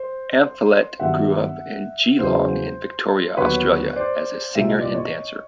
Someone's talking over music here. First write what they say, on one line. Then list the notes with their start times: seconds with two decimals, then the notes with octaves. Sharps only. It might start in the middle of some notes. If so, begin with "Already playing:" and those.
Amphlett grew up in Geelong in Victoria, Australia, as a singer and dancer.
Already playing: C5
1.00 G2 D#3 F#3 B3 D4 E5 F#5
2.19 E2 C#3 F#3 C5
3.37 D#2 D3 F#3 B3 B4 C#5
3.96 C5 D5
4.55 C2 A#2 G3 E5
4.68 D#5
4.81 D5
4.94 C#5 D#5